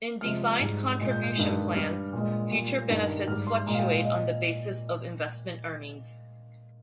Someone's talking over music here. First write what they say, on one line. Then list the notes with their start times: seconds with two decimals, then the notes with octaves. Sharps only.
In defined contribution plans, future benefits fluctuate on the basis of investment earnings.
0.21 C3 F3 G#3 F6
0.60 G#2 G3
0.99 A#2 G#3
1.11 G6
1.23 G6
1.36 G2 D#3 G#3
1.75 G2 G3 F6
2.13 A#2 G#3
2.51 A#2 G3
2.89 G2 D#3 G3
3.28 G#2 G3 F6
3.47 C6
3.66 A#2 G#3 A#5
3.75 F5
3.79 G5
3.92 F5
4.04 A#2 D#5